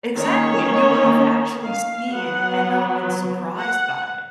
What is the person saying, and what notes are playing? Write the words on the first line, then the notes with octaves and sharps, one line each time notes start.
Exactly! And you would've actually seen and not been surprised by it.
D#3 A#3 C#4 C#5
F5
F#3 B3 F#5
F#5